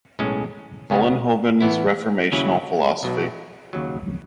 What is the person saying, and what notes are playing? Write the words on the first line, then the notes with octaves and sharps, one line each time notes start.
Vollenhoven's Reformational philosophy.
B1 A2 G#3 C#4
C#2 C#3 G#3 B3
A2 E3 B3 E4
D#2 C#3 F#3 C#4 E4
B1 B2 F#3
D#2 C#3 F#3